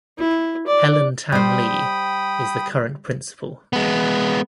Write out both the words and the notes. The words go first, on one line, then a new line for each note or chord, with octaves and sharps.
Helen Tan-Lee is the current principal.
E4
D5
G3 C5 G5 B5 D#6
G#3 B3